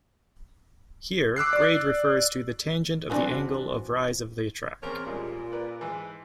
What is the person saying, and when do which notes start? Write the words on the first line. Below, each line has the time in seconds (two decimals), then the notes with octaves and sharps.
Here grade refers to the tangent of the angle of rise of the track.
1.36 D6 E6 F#6 C7
1.53 D5
3.10 E3 B3 C4 D4 F#4
4.83 E2 C4 C#4 A#4 C6
5.06 A#2 G3 G#3
5.52 A#4 B4 D5
5.81 G#2 E3